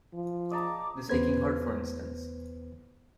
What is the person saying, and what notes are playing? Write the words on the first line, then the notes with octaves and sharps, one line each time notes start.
This aching heart, for instance.
F3
D#5 A5 A#5 D6
E2 B3 B4 C5 G#6